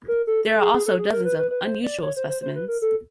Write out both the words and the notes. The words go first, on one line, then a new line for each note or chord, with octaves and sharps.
There are also dozens of unusual specimens.
A#4
A4
A4
G#4
G#4
A4
G#4
A#4
B4
B4
B4
C5
D5
C#5
C5
C5
C5
B4
A#4
A4